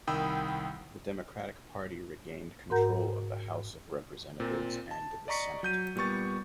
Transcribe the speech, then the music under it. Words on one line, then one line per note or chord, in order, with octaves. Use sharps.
The Democratic Party regained control of the House of Representatives and the Senate.
C2 D#3 G5 B5 D#6 E6
G#2 F#4 A#4 F#5 A#5 G6
A#2 C4
A5
D5 D#5 A#5 C#6 B6 C#7
F#3 G6 D#7
A#2 G3 B3 C#6 A6